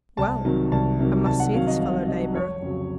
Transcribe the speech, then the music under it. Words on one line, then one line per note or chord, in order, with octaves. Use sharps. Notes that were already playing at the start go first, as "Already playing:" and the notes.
Well, I must see this fellow-laborer.
C2 A5
C3 D#3 F#3
C2 A5
C3 D#3 F#3
C2 A5
F#5
C3 D#3 F#3 F5
D#5
C2 F5
C3 D#3 F#3 D#5
F1 C#5
F2 C#3 F#3